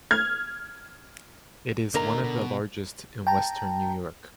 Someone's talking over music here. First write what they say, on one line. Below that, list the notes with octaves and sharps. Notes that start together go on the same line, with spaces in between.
It is one of the largest in Western New York.
F6 G#6
D3 A#3 D#4 A#4 A#5
B2
G5 A5 A#5